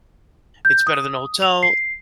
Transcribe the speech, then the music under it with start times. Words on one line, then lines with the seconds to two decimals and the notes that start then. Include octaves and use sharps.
it's better than a hotel."
0.65 G6
0.87 D#6
1.42 F7
1.63 C7